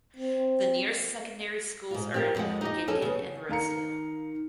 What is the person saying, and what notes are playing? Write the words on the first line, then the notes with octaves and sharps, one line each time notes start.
The nearest secondary schools are in Gin Gin and Rosedale.
C4
G#2 F4
C4 G4 A#4
F2 A2 F3 G#3 F#5
D#4 G4 D#5
F2 C#4 A4 G#5
C#3 B3
D#3 F5 A#5 C#7